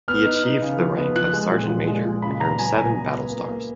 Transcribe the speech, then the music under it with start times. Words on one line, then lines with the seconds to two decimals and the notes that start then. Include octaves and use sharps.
He achieved the rank of Sergeant Major and earned seven battle stars.
0.08 B3 F6
0.26 D#4
0.44 D#4
0.62 C#3
0.79 F3
0.98 B3
1.16 F3 F#6
1.33 G#3
1.51 A#2
1.69 F3
1.87 G#3
2.05 A#2
2.22 C#3 B5
2.40 B3 A#5
2.59 F#3 G#5
2.76 B3 G#5
2.94 B3
3.13 B3
3.30 A#3
3.48 A#3